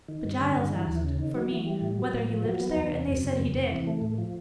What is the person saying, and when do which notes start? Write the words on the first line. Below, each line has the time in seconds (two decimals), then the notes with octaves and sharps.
But Giles asked, for me, whether he lived there, and they said he did.
0.08 D#3
0.25 G2
0.40 D3
0.56 G2
0.72 E3
0.87 D#2
1.03 C#3
1.19 D#3
1.35 F#3
1.51 E3
1.66 G3
1.82 A2
1.98 F#3
2.13 A2
2.29 F3
2.45 F#3
2.60 B3
2.76 E2
2.92 C3
3.07 F#2
3.23 C#3
3.39 F2
3.55 C3
3.71 E3
3.87 A3
4.02 A2
4.18 F3